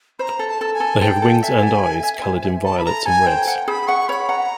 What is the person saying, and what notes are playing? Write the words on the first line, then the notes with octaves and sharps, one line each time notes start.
They have wings and eyes colored in Violets and Reds.
C5 A#5 B5
A4
A#5
A5
A4
G#5
A4
A4 G5
A4
E5 G#5
A4
E5
E5
C5
E5
A4 A5
B5
A4 A#5
A4 G#5
C5 G5
F#5 G5
G#4 B5
F#5 C#6
C#5 B5
F#5 A#5